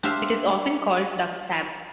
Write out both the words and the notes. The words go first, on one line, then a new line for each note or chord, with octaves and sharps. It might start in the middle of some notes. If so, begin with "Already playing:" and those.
It is often called Duck Stab!
D4 G4 C5 E5 F5